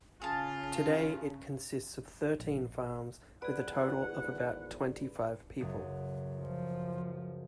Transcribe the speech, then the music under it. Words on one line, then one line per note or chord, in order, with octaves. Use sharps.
Today it consists of thirteen farms with a total of about twenty-five people.
C#3 F4 G#4 F5 A5
A#1
G#1 E2 G#4 B4 D5 F#5
C#2 F#2
F3